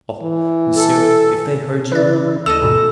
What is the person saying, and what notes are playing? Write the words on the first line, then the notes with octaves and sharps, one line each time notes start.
Oh! monsieur, if they heard you!
E3
A4
C#3 E3 E4 B4 D5
D#2 A3 A4 D#5 E6 E7
G#2 B2